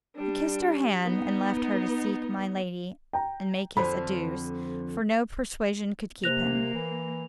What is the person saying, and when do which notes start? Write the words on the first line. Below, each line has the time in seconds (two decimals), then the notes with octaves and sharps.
He kissed her hand and left her to seek my lady and make his adieus, for no persuasion could keep him.
0.15 G3 D4
1.05 B3 D#4
3.13 G5 A#5
3.77 F2 D3 F3 C5 B5
6.24 C3 A#3 C5 F#6 A#6 F7
6.74 E3